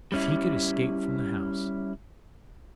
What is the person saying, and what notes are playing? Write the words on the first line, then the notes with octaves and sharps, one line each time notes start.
If he could escape from the house!
G3 C#4 E4